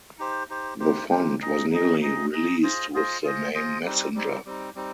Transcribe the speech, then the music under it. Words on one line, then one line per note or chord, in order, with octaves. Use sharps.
The font was nearly released with the name Messenger.
D#4 G4 C5
D#4 G4 C5
D#4 G4 C5
D#4 G4 C5
D#4 G#4 D#5
D#4 G#4 D#5
D#4 G#4 D#5
D#4 G#4 D#5
F4 G#4 C5 D#5
F4 G#4 C5 D#5
F4 G#4 C5 D#5
F4 G#4 C5 D#5
G3 C4 D#4
G3 C4 D#4
G3 C4 D#4
G3 C4 D#4